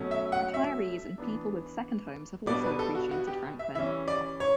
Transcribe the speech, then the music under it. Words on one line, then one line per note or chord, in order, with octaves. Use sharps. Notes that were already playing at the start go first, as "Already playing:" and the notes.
Retirees and people with second homes have also appreciated Franklin.
Already playing: B2 F#3 A3 C#4
E5
F#5
E5
E3 B3 D4
B2 G3 B3 D4 D5
B4
A4
F#4
F#4
G4
E5
E3 G3 C#4 E5
D5
C#5